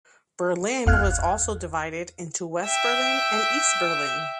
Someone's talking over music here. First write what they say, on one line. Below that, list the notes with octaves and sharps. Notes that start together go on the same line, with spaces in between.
Berlin was also divided, into West Berlin and East Berlin.
G1 E2 F5 F6 F#6 G#6
E5 G5